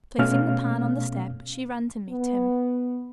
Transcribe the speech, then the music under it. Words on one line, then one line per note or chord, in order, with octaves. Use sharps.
Placing the pan on the step, she ran to meet him.
B2 A3 C#4 F5 F6
B3